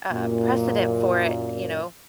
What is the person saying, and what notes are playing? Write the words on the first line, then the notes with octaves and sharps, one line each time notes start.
um, precedent for it, you know,
F#2 A#2